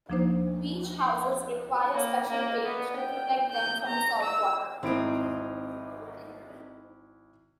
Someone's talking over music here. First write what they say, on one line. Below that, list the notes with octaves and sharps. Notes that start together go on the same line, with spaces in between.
Beach houses require special paint to protect them from the salt water.
D2 F3 A#3 D4 D#4 C5
A#3
A#3
B3
G5
G6
A#5
E6
G#1 C4 D#4 E4 D7